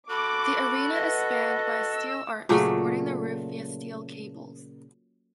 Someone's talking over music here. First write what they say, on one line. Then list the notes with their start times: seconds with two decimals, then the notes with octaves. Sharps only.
The arena is spanned by a steel arch supporting the roof via steel cables.
0.10 F#4 A4 B5 D6
0.94 B4 D#5 F#5
1.92 E6
2.49 A#2 C#3 F#3 A3